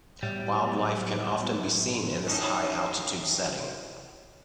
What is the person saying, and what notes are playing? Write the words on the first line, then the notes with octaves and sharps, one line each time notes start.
Wildlife can often be seen in this high altitude setting.
A2 F#3 G3 B3 E4
F#2 A2 D#4